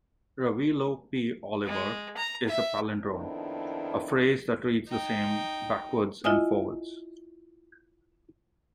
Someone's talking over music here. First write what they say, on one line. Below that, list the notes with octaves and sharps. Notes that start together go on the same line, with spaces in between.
"Revilo P. Oliver" is a palindrome-a phrase that reads the same backwards and forwards.
G#3
A#5
E5
F2 D#3 B3 D4 E4
D#4 G5
E4 F4 D#5 E5 G#5 D#6